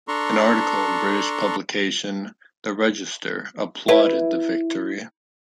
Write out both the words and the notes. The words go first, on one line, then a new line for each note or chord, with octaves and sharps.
An article in British publication "The Register" applauded the victory.
D4 A4 A#5 C6 C#6
E4 B4